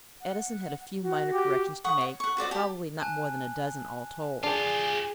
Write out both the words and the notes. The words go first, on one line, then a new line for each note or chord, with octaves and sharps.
Edison had a few minor corrections to make, probably not more than a dozen all told.
F#5
F#4
G4
F#5 C#6 D#6
C#5
F#5 C#6
F#4 C5 D5 D#5
G4 A5
G#5 A5 F#6
D4 F4 G4 G#4